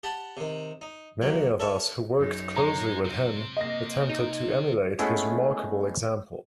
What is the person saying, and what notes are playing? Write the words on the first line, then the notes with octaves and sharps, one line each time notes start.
Many of us who worked closely with him attempted to emulate his remarkable example.
G4 F#5 A5 B5
C3 D#3
D#4
D#2 F#3
A4 A#4 C#5 E5
F#2 D#4
G#3 A#5
C3
A#3 D#5 A#6
D#4
G#3 A3 B3 C#4 E4 G#4